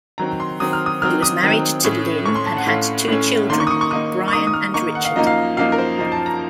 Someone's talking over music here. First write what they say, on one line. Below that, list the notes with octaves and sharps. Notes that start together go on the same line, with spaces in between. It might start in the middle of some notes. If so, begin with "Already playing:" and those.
He was married to Lynne and had two children, Bryan and Richard.
D#3 F#3 C4 A#5
C6
D#3 F#3 C4 D#6
F6
D#6
D#3 F#3 C4 F6
D#6
D#3 F#3 C4
A2 A3 C#4
A2 A3 C#4 C#6
C6
A5
F#5
A2 A3 C#4 F5
A2 A3 C#4
D#3 A#3 D#4 C6
C#6
D#6
C#6
C#6
D#3 A#3 D#4 D#6
C#6
D#3 A#3 D#4 D#6
D#6
F6
D#3 A#3 D#4 C#6
F#5
F5
F#2 F3 A#3 D#4 D#5
F5
F#2 F3 A#3 D#4 F5
A#4
C5
F#2 F3 A#3 D#4
A5
A#5